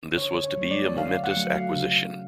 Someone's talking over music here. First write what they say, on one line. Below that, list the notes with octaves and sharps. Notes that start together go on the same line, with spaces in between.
This was to be a momentous acquisition.
D3 C#5
C#5
F#3 A3
D5
D3 F5
F#5
F#3 A3
F5
C#3